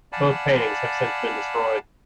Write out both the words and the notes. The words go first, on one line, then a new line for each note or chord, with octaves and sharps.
Both paintings have since been destroyed.
D5 F5 F#5 G#5 A5 B5